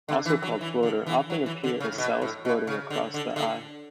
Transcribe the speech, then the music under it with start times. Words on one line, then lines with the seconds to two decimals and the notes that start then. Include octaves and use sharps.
Also called "floater" - often appear as cells floating across the eye.
0.08 D3
0.26 E3
0.43 F#3
0.61 E3
0.83 D3
1.06 E3
1.30 F#3
1.46 E3
1.64 D3
1.80 C#3
1.92 A2
1.98 B2
2.22 A2
2.45 B2
2.67 C#3
2.90 D3
3.14 D3
3.36 D3